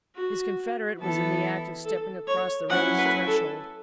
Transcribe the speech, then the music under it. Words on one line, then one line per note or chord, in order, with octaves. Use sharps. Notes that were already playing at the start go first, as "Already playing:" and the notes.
His confederate was in the act of stepping across the raised threshold.
F#4
E3 B3 E4 A4
A4
C#5
F#3 C#4 E4 F#5
B4
A4